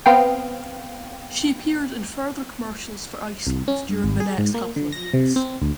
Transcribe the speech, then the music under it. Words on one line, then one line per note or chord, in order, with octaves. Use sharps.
She appeared in further commercials for Iceland during the next couple of years.
B3 C4 F5 G5
C2
C#4
G2
G#1
G#4
G#2
A#3
D3
A#6
C3
C4
D2